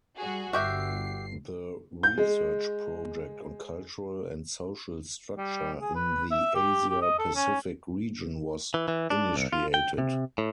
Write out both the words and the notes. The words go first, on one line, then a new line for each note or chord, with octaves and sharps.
The research project on cultural and social structure in the Asia-Pacific region was initiated.
G3 F#4 G#4
G1 F#4 G4 E5 C7
G6
G#3
G3
G#4
B4
E5
G4
G4
D#5
A4
C#4
E3
E3
D4
C2
F4
G5
C3
A2